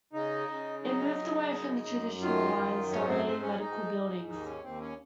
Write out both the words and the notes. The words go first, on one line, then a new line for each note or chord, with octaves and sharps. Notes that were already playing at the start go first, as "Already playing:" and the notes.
It moved away from the traditional lines dominating medical buildings.
C#3 D#4
C#3
F#3 D#4
C#3
F#2
F#2
D#3 F4
F#2
G#2 C#4
C4
G#2 C4
C#4
G#2 D#4
G#2
D#2 D#4
C#4
D#2 C4
C#4